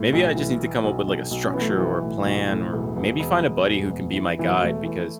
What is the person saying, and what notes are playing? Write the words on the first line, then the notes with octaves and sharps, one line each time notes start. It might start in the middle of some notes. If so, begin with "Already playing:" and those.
maybe I just need to come up with, like, a structure, or a plan, or maybe find a buddy who can be my guide, because,
Already playing: A2
B1
E3
E3
B1
B1
B1
C#4
E3 B3
A3
F#3
B1 E3
A2
B1
A2
E1
E1
E1
E1
E1
E1
E3
E1 E3
F#3
E1 A3
E3